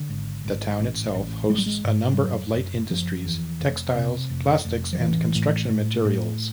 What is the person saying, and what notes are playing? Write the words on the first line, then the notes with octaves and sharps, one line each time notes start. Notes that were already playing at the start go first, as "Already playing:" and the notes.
The town itself hosts a number of light industries: textiles, plastics and construction materials.
Already playing: D3
G#1
G#1
A1
A1
A1 G#3
G3
G#3
G#2
G3
F#1 F#3
F#1
F#1 F3
E2
F1
C3
F1
F1
F3
A1 E3
A2
A2
A2